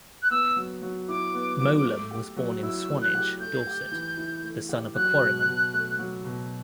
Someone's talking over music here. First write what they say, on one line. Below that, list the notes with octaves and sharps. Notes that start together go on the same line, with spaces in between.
Mowlem was born in Swanage, Dorset, the son of a quarryman.
F#6
B3 E6
F#3
F#3
E4 D6
B3
F#3
A3
G4
F#3
E4 E6
A3
F#6
G4
A3 G6
G4
E3
E4
A3
G4
F#3 F#6
B2
B2
A3
F#3
B2